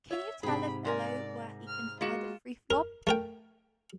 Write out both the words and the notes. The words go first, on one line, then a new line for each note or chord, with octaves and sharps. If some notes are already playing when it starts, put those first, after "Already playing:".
Can you tell a fellow where he can find a free flop?
C#5 E5
G#2 C3 G#4 G5 B5
G#3 A#4 D5 G#5
F6
G#3 A#3 F4 F#4 C#7 E7
A#4
A3 A#4 G5